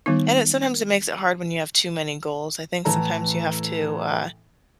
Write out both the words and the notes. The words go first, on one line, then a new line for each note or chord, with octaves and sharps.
And it sometimes it makes it hard when you have too many goals. I think sometimes you have to, uh
D#3 G3 B3 D#4
A2 E3 E4 A4 A#5